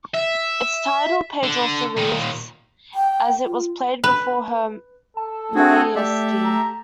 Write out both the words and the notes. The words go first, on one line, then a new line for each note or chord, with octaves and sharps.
Its title page also reads: As it was played before her Maiestie.
E5
D3
A#2 D#3
G5
F4
B4
A4 A5
C4 D4 F#4 G#4
A3 G4 A4 D5 E5
A#5